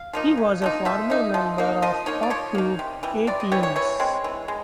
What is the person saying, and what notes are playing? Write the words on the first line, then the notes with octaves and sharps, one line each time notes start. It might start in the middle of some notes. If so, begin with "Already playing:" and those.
He was a former member of the pop group A-Teens.
Already playing: F5
F3 A#3 D#4
C#3
F3 A#3 D#4
F3 E5
A#3 D#4
F3
A#3 D#4
F3 D#5
A#3 D#4 C#5
D5
F3 C#5
A#3 D#4
C3
E3 G3
C3 D5
D#5
E3 G3 C#5
C#5
E3 C#5
G#3 C4
E3
G#3